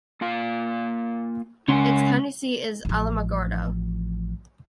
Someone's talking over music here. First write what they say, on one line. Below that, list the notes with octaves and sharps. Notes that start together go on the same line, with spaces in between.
Its county seat is Alamogordo.
A#3 F4 F5
C#2 C#4 C#5 F#5 G#5 C6
A1 F3